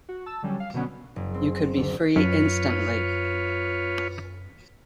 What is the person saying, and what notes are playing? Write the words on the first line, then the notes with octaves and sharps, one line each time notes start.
You could be free instantly.
F#4
A5 E6
D3 F#3 G3 C#4
F5
B2 D3 F#3 B3 C#4
F#1
C4
D2
F#2 F4 B4 C#5